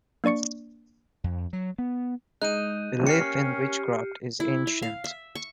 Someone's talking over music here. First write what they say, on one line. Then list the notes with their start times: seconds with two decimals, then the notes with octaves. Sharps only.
Belief in witchcraft is ancient.
0.24 A#3 D4 D5 C#6 C#7
1.24 F2
1.53 F#3
1.78 B3
2.42 G#3 D#4 F#6 G6 D#7
3.07 A#3 C#4 G4 F6 C7 C#7
4.40 E4
4.67 E5
4.82 F5
5.04 E5
5.35 C#6